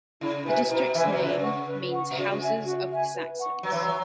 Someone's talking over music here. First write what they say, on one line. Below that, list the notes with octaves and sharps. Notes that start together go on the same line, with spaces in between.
The district's name means 'Houses of the Saxons'.
C#3 E4
B2 B4 E5 G#5
B2 E4
E3 B4 E5 G#5
C#3
B2
C#3 B4
F#5 C#6
B4
F#5 C#6
B2
C#3 F#4
E5 G#5
F#4
E5 G#5
B4
F#5 C#6
F#3 B4
E3
F#3
C#6